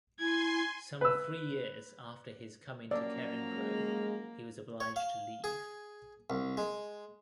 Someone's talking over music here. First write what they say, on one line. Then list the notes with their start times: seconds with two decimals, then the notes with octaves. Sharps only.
Some three years after his coming to Carencro, he was obliged to leave.
0.19 E4 G#5 C6 G#6
1.01 B4 E6
2.91 F3 F#3 A#3 C#4 D5
3.53 G#3
4.80 C#5
4.96 F5
5.44 G#4
6.30 C2
6.57 G#3